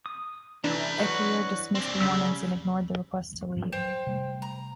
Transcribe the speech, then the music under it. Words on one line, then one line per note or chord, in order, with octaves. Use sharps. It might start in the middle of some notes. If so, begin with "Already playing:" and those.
Ecuyer dismissed the warnings and ignored the requests to leave.
D#6
E3 D4 B4 A#5
F#3 F#4
C4 D4
C#3 G3 E6
G#2 F3 G3
F#3 C5 F5 G5
C3 G3 A3
A#5